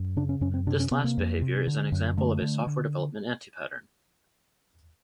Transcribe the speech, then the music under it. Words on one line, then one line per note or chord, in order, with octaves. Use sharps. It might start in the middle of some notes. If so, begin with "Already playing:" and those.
This last behavior is an example of a software development anti-pattern.
Already playing: F#2
C#3 D4
C#4
F#2 C#4
C4
C3 D4
C#4
C3 B3
A#3
F2
C3
D3
F#2
D3 A3
D3
D3